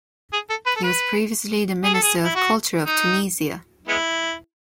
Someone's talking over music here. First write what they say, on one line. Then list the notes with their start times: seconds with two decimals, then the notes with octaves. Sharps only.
He was previously the minister of culture of Tunisia.
0.33 G#4
0.50 A4
0.66 B4
0.76 A4
0.83 B4
1.84 G#4
1.94 A4
2.02 G#4
2.24 E4
2.35 F#4
2.86 D#4
3.88 G#3 B3 E4